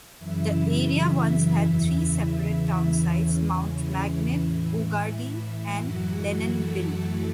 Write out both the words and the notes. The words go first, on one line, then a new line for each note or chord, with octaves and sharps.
The area once had three separate town sites - Mount Magnet, Boogardie, and Lennonville.
F#2 C#3 E3 E4 E5
E4 E5
E2 C#3 E3 E4 E5
E4 E5
E2 C#3 E3 C#4
E3 E4
A2 E3
F#2 E3 F#3 F#4
A3 A4
F#3 F#4